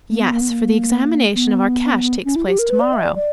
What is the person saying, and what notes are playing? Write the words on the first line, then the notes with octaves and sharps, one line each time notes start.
"Yes; for the examination of our cash takes place to-morrow."
A#3
B3
A#3
B3
A#3
B3
C#4
E4
G4
A#4
B4
D5
E5
D5
D5